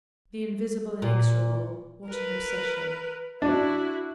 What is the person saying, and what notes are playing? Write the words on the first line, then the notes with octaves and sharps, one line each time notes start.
The invisible inexorable, what an obsession!
A#2
A#4 B4
D4 E4 F#4